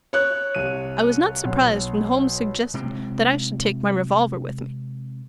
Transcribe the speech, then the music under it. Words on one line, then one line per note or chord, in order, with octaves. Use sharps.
I was not surprised when Holmes suggested that I should take my revolver with me.
C#5 F#6
C2 D#7
B1
C3 G#3 C4